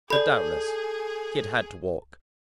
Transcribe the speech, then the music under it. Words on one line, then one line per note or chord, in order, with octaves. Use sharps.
But, doubtless, he had had to walk.
G#4 A4 D5 B5 G6